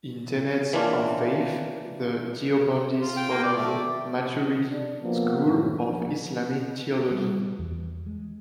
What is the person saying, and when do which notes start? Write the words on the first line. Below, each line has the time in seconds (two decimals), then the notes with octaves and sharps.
In tenets of faith, the Deobandis follow the Maturidi school of Islamic theology.
0.73 E3 A#3 C#4 D4 F4
3.01 F4
3.17 G5
3.30 A#3
3.43 D5
3.57 A3
4.70 D4
5.02 B2 F3 A#3 B3
5.44 F#2 A2
5.84 A#1
7.11 G3
7.59 E2
8.06 G#3